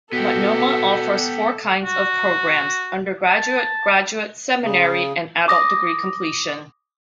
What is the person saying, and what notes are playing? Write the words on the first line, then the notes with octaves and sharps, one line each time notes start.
Multnomah offers four kinds of programs: undergraduate, graduate, seminary and adult degree completion.
B2 B3 G4 A4
F#4
A5
C#3
D6 D#6 A#6